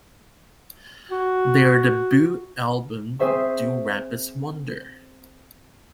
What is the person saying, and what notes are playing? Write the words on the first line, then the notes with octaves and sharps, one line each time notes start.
Their debut album, Do Rabbits Wonder?
F#4
C4 G#4 C5 E5 C#6